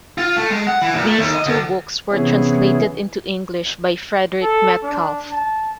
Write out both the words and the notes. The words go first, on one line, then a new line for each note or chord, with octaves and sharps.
These two books were translated into English by Frederick Metcalfe.
F4
A3
G#3
F#5
E3
A#2
A3
D#2
D#5
D2
C3 E3 B3 C#4 E4 G#4
A4
D4
A5